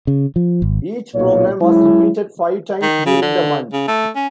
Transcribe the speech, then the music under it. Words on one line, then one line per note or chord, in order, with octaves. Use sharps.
Each program was repeated five times during the month.
C#3
F3
G#1
B1 A#2 A#3 C#5
F#3 G#3 C#4 E4
D#3
C#3
D3
C#3
A3
C#4